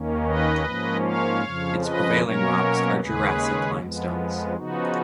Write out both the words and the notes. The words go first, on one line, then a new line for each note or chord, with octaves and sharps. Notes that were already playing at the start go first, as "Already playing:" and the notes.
Its prevailing rocks are Jurassic limestones.
Already playing: D#2 D#3 A#3 C#4
B4 D#5
G#2 F3 A#3 C#4
C#5 F5
F2 C#3 F3
B4 D#5
B2 F#3 A#3 C#4 A#4 C#5
D#2 C#3 G#3 C#4 G#4 B4
F2 F3 G#3 B3
C#3 F3 B3 D#4 F#4